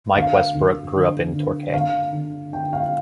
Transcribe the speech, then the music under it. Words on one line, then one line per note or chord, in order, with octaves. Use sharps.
Mike Westbrook grew up in Torquay.
D2 F5
D2
D3
D3
D3 F5
D3
D3 G5
F5